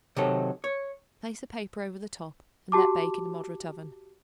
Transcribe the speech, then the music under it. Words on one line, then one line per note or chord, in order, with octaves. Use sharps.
Place a paper over the top and let bake in a moderate oven.
C3 D#3 F#3 A4
C#5
F#4 G4 A5 D6